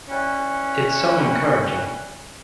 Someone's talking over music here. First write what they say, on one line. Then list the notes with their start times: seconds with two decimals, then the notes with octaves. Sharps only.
It’s so encouraging.
0.09 E3 G3 C#4